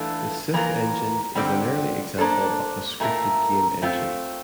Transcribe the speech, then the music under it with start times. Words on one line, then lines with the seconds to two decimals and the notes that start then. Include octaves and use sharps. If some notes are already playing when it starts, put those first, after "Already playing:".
The Sith engine is an early example of a scripted game engine.
Already playing: E3 A3 D4 F4 A4
0.54 E3 A#3 F4 A#4
1.35 D3 G3 C4 G4 D5
2.18 A#3 D4 A4 C5
3.00 A#2 A3 E4 A#4
3.82 A3 C4 F4